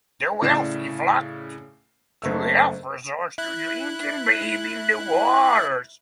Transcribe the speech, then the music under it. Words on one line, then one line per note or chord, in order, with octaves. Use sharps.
The wealthy flocked to health resorts to drink and bathe in the waters.
A2 C#3 D5 C7 E7
F#1 A3 E6
E4 F#6